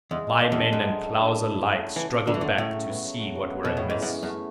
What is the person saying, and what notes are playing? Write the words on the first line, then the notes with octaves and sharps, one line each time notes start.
My men and Klow's alike struggled back to see what were amiss.
E2 G#3
G#3
A4
E2
D4
F#2 G#3
G#3
A4
D4
E4
C#3
A3
F#3
E3 E4
C#3
D3 A3
E3
D3 F#3
A2 F#4
C#3
B3
F#3
F#4
C#3
B3
B2 F#3
A2
E3
G#2
F#2 E3
C#4
F#2
A3